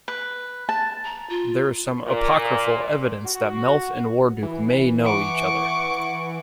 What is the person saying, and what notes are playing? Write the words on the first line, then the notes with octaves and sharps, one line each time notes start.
There is some apocryphal evidence that Melf and Warduke may know each other.
B4
A5
A#5
F4
A#2
F#4
E3
F#5 C#6 D6